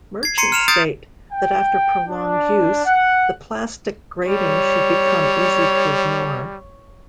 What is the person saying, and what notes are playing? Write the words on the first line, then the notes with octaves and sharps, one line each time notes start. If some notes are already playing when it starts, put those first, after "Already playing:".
Merchants state that after prolonged use, the plastic grating should become easy to ignore.
G#6 C7
A#5 C6 C7 C#7 D#7
F6 E7 F7
D#6 G6 A6 C7 D7
G5
D4
F#5
G3 C#5